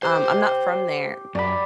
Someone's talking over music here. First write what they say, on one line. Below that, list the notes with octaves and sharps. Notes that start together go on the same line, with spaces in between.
um, I'm not from there,
G4 C5
F#2 D5 B5